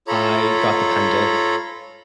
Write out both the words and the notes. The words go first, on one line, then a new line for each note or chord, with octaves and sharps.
I got the pendant.
F4 A4 C#5 A#5 B5